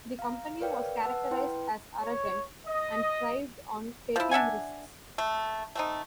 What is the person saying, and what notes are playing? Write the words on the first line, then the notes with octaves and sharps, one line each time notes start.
The company was characterised as "arrogant", and thrived on taking risks.
F5 A#5
A#4 B4 C#5 D5 F5 G5
B4 F#5 A5 E6
E4 B4 G5 C6
C#5
D#5
F3 E4
D4 E5 F#5 G#5
A3
A3 C4 D#4